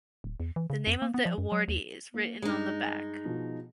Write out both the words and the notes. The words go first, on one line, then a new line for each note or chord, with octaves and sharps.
The name of the awardee is written on the back.
D1
E2
E3
C#3
F2
A#3
B3
F3
F#2
F#3
D#2
A#3
G2 G#3 D#4
B2 F3